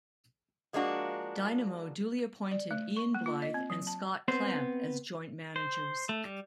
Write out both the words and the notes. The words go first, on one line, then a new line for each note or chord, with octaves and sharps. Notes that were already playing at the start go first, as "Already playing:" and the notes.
Dynamo duly appointed Ian Blyth and Scott Clamp as joint-managers.
F3 G#3 A#3 D4 F#4
D5
A3
C#6
A#3
F4
D#5
C4
F#3
A5
B3 C4 C5
C5
A3
G3